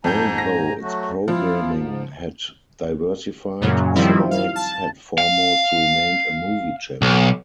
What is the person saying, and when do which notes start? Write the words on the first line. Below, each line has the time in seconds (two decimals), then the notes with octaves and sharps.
Although its programming had diversified, Cinemax had foremost remained a movie channel.
0.04 F2 G#2 G#5 A#5 G6
0.38 A#6
0.81 F#3 A3 F#4
1.28 F3 E4 F4 F5
1.72 G#2
3.61 F#2 A#2 C#3 F#3
3.95 D#3 F3 G3 C4 E4
4.31 F5
4.56 A5
5.18 F5
7.02 B1